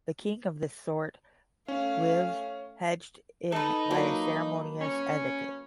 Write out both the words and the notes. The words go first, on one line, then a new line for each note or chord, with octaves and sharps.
A king of this sort lives hedged in by a ceremonious etiquette.
A3 C#4 F5
D#4 A4 B4
F#3 A#3
C#4